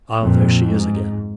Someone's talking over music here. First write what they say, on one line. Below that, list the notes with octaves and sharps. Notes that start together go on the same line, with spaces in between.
Ah, there she is again.'
F2 A#2
G#2